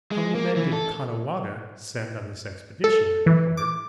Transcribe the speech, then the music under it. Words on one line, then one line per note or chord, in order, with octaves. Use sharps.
"How many men did Caughnawaga send on this expedition?" I inquired.
G#3
A#3
E3
A4
A4
E3
D6